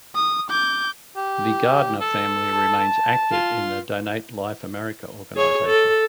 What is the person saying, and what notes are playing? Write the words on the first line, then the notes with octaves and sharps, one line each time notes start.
The Gardner family remains active in the Donate Life America organization.
D#6
D6 G6
G4
A4
A5
F4
G#4 C#5
A4